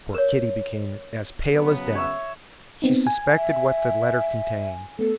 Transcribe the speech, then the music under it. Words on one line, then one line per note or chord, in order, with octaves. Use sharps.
Poor Kitty became as pale as death; she suspected what the letter contained.
A#4 C#5
C#3 F#3 B3
C#5 E5
B3 C4 D#4
G#5
E5
A3 B3 A4